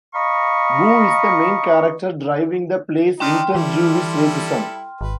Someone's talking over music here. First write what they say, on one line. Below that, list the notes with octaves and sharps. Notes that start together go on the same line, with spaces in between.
Boo is the main character driving the play's inter-Jewish racism.
D#5 F5 A#5 B5 C#6
D4 D#4 G5 C6 F6
E3 G3 E4 A4
G#1 B4